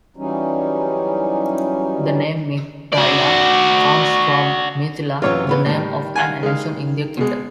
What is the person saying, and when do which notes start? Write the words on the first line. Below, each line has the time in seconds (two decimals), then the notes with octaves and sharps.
The name Meiktila comes from Mithila, the name of an ancient Indian kingdom.
0.17 E3 F#3 G3 C#4 D#4
2.93 F#4 D5
5.22 F#2 C3 E3 F4 C#5
5.47 E3 B3 B4
5.66 A2 D#3 G3
6.15 F5 F#5 G#5
6.43 G#3 F5
7.17 B2 G#3